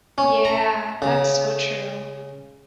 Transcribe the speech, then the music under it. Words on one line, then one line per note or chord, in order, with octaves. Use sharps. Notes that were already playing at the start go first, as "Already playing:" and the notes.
Yeah, that's so true.
C#4
A#5
C#3